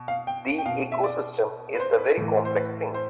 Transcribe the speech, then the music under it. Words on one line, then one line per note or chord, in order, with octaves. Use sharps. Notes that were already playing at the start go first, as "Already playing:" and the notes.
The ecosystem is a very complex thing.
Already playing: B2
F5
G5
G5
B2 F5
E5
D5
B4
C5
C5
B4
A2 E3
C5
B4
C5